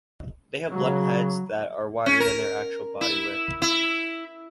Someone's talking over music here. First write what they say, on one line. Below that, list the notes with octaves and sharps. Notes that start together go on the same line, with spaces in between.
They have blunt heads that are wider than their actual body width.
C#3 F#3
C#4
A#4
E4
E4